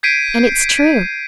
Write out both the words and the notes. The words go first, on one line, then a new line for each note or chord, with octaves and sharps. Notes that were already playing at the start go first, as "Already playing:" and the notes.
And it's true.
G6 G#6 B6 C7 D7 D#7